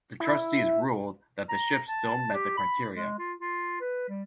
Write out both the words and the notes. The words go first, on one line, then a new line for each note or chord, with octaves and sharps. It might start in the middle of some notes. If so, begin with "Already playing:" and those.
The trustees ruled that the ship still met the criteria.
E4
A#5
A5
G4
B5
G#3
F4
F4
B4
G3